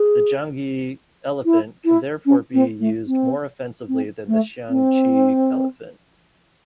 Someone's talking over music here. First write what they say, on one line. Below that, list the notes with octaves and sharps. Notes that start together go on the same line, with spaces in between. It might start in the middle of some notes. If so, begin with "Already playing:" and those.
The janggi elephant can therefore be used more offensively than the xiangqi elephant.
Already playing: G#4
E4
E4
C#4
C4
A3
C4
C4
A3
C4